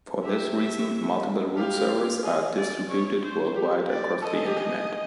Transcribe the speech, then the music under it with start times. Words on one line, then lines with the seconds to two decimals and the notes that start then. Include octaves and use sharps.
For this reason, multiple root servers are distributed worldwide across the Internet.
0.24 G4 E5
1.57 G4 F5
2.24 G#4 D#5
2.56 D5
2.89 C#5
3.23 C5
3.56 G4
3.89 D5
4.22 A4 D#5
4.34 G#4
4.45 G4
4.56 G#4